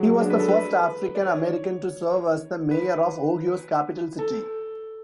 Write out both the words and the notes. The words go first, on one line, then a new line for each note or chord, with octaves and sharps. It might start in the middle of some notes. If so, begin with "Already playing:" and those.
He was the first African-American to serve as the mayor of Ohio's capital city.
Already playing: F#3 G#3
D4
B4
A4
B4
D5
C#5
B4
A4